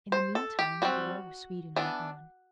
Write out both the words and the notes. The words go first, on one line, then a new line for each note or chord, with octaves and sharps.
In the mean time the war with Sweden went on.
C5
A4
G4
G3 C4 F#4
E3 B3 D4